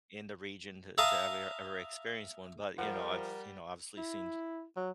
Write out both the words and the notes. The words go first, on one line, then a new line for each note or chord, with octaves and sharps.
in the region to to ever- ever experience one, but, you know, I've you know, obviously seen
E5 F5 A5 A#5 D#6
F3 G3 A#4 F#5
E4
F#3